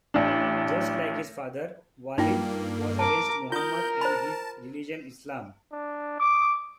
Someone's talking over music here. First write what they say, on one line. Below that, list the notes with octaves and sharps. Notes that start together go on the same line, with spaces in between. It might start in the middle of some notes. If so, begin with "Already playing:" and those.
Just like his father, Walid was against Muhammad and his religion Islam.
A1 D4
G2 A#3 D#4 F4 G5
A#4 A5 D6
F4 A#4 D#6 G6
C5 A5 B5
D4
D6